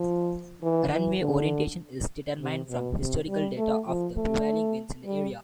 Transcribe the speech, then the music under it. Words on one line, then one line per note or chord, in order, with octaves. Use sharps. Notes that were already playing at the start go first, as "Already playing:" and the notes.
Runway orientation is determined from historical data of the prevailing winds in the area.
Already playing: F3
E3
E3
D3
C3
B2
C3
G3
A3
F3
A3
G3